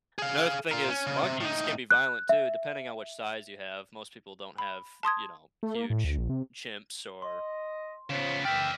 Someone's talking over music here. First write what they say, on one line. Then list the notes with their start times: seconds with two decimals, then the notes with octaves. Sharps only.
Another thing is monkeys can be violent too, depending on which size you have, most people don't have, you know, huge chimps or
0.19 G#4 F5
0.71 F4 A#4
0.89 C#4
1.07 C#3
1.23 C3
1.41 A2 D#4
1.91 F#6
2.29 E5
4.58 B5
5.03 A5 C6 D#6 G#6
5.63 A3
5.75 A#3
5.90 A2
6.04 D2
6.18 A#1
6.29 C3
7.22 D#5 C6
8.10 C#3 B3 F4 C5 C#5 D7 E7
8.45 F#2 C#3 E3 D5 E5 G5 F6 B6